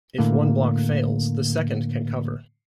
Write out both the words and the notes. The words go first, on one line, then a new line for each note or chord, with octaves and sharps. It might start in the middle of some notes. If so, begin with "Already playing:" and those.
If one block fails, the second can cover.
A2 D3 A3 A#3